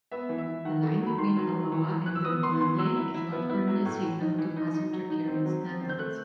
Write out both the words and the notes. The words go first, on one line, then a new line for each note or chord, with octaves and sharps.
The line between Alloa and Dunfermline is not currently signalled to passenger carrying standards.
B3 E5
E3
E5
E3
D#3 F#5
A3
F#3
B5
D#3 C6
F#3
F#3
E3
E3
E3 F#6
E6
B3 D#6
B3 C6
E3 C6
F#3 E6
E4
E4
B3
E4
F#3
A2
E3
D#4
E3
D#4
D#4
F#3
D#4
C4
F#3
C4
C4
G6
A3 F#6